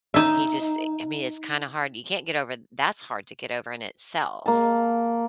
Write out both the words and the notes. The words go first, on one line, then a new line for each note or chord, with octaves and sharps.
he just i I mean, it's kinda hard, you can't get over that's hard to get over in itself,
D#4 E5
A#3 A5